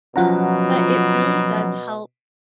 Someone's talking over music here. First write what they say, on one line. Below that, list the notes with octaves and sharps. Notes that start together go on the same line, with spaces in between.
But it really does help,
B2 F3 F#3 C#4 F4 F#5 A#5